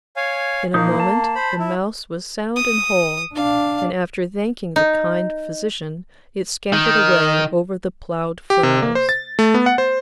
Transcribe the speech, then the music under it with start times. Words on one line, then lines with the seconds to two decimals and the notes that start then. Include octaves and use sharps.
In a moment the mouse was sound and whole, and after thanking the kind physician it scampered away over the ploughed furrows.
0.16 C#5 F5 G#5
0.74 A#2 F3 A#3 D#4
1.00 A5
1.35 C5 B5
1.59 E4
2.56 D#6
3.35 D4 F5
4.76 D#4
6.73 D#3
8.50 G4
8.63 C3
8.82 A#3
8.95 C5
9.09 A6
9.39 A3
9.54 B3
9.66 F#5
9.78 C5